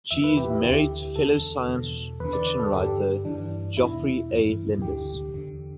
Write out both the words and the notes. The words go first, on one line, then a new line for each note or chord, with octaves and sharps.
She is married to fellow science fiction writer Geoffrey A. Landis.
E2 E3 E5
B4
G4
E4
D2 D3 G4
E2 D3 A4
E2 B2
E2 D3 B4
D5
B4
A4
G2 D3 G4
G2 E3 D4
E2 B2 E4
G2 E3
D2 D3 G4
E2 D3